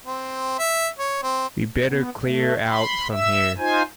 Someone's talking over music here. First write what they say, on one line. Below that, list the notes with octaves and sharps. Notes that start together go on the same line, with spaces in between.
We'd better clear out from here!
C4
E5
C#5
C4
B3
A3
B5 C6
E5 E6
D#4 F4 C5 G#5